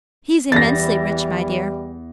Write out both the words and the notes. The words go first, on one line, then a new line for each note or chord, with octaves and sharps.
He's immensely rich, my dear.
E2 E3 G3 A6 A#6